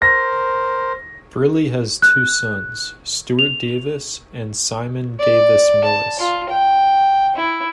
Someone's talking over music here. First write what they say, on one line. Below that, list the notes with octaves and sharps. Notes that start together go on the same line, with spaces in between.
Briley has two sons, Stewart Davis and Simon Davis-Millis.
A#4 C5 A#6
F#6
F7
D5
A5
F4
G5
E4